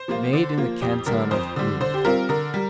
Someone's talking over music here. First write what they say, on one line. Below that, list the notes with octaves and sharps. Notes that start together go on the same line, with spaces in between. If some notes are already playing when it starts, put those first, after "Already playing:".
Made in the Canton of Uri.
Already playing: C5
F3 A#3 F4
D3
F3 A#3 F4
F2 G4
D3 G3 A#4
F2 C5
D3 G3
D3 C5
G4
G3 C4 F4 A#4
D3 A#4
G3